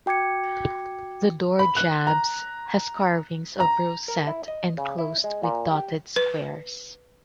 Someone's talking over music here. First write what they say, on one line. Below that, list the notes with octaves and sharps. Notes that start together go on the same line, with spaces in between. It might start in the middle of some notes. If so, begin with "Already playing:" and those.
The door jabs has carvings of rosette enclosed with dotted squares.
F#4 G5 D6 G#6 C#7
B5
F#6
A#5
A#5
A#4
E4
D#5
C#3
E4
G#3
A#2
G4
B4